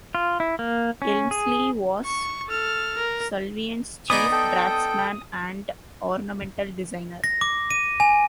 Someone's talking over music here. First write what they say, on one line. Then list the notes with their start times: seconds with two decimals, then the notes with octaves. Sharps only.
Elmslie was Sullivan's chief draftsman and ornamental designer.
0.15 F4
0.40 E4
0.59 A#3
1.02 C#4
1.31 G#4
2.05 C#6
2.48 A4 F6
2.98 A#4
4.10 B3 D4 D#4 G#5 B5 D6 D#6
4.32 A4 G5
7.24 A#6
7.41 D6
7.70 D#7
8.00 G#5